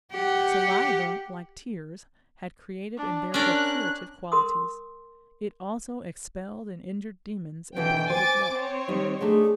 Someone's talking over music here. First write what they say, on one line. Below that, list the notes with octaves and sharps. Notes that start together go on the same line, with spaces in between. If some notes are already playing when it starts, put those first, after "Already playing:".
Saliva, like tears, had creative and therefore curative qualities; it also expelled and injured demons and brought good luck.
G4 F#5
D4
C#4 D4 A#4 F#6
A#4 C6 D#6
B2 D3 E3 G5
C5 G#5 D6 A6
C4 C#5
D#3 G3 D#4
A3 D4 D#4 G#4